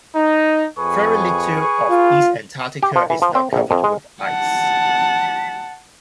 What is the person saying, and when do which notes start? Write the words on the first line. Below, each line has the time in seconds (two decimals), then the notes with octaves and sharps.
Very little of East Antarctica is not covered with ice.
0.16 D#4
0.79 F2 G#4 B4 C#6
1.90 F4
2.83 G4
2.96 F3
3.10 E3
3.22 F3
3.35 C4
3.53 A#1
3.71 F2
3.84 G#3
4.23 F#5 A5